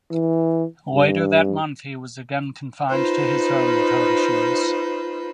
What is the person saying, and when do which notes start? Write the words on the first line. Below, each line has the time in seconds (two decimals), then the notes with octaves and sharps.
Later that month he was again confined to his home with heart issues.
0.11 E3
0.93 G2
2.89 D#4 F4 B4 C5